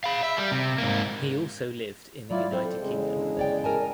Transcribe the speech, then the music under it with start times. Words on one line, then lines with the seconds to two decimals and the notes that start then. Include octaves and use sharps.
He also lived in the United Kingdom.
0.04 F5 B5
0.23 E5
0.37 G3
0.51 C3
0.78 G#2 A#3
2.31 F#3 E4 F4 D5
2.52 C4 A4 C5
2.79 E2 C#3 G#3
3.16 D3
3.37 C#5 D5 G5
3.64 A#4 G#5 A5